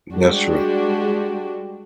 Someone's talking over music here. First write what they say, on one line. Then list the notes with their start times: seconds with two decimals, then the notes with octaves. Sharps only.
That's true.
0.13 G3 G#3 D4 F#4 G4